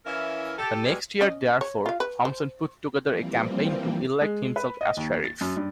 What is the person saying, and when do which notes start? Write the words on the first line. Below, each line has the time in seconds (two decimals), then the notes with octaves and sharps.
The next year, therefore, Thompson put together a campaign to elect himself as Sheriff.
0.06 E3 C#4 E4 A#4 E5 F5
0.59 G4 A4
0.86 B2 G3 G#3
1.21 C#4 D#5
1.61 C#5
1.86 F4 F5
2.00 B4
2.25 C5
3.03 E3 F3 G3 A#3 C4
4.21 G#3
4.56 B4
4.81 D#5
4.97 D#2
5.25 A6
5.41 F#2
5.57 G2